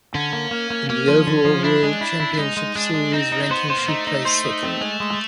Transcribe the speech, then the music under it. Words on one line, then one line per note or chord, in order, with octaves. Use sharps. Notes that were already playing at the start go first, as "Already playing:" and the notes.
In the overall World Championship Series ranking she place second.
D3 C#4
A#3
A#3
A#3
A#3 C#4
F3
D3
F3
D4 E4
G#3
E4
E4
D4
G#3 D#4
G#3
G#3 D4
G#3
C4 D#4
D#4
C4
B3 C5
C5
A#3
A3 D#4
D#4
C5
D#4
C4
G#3
G#3